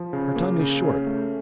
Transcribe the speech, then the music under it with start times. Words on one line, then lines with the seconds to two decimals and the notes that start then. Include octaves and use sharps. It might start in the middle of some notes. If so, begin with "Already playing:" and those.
Our time is short.
Already playing: F3
0.13 C#3
0.36 A#3
0.59 C#3
0.83 C#4
1.07 A3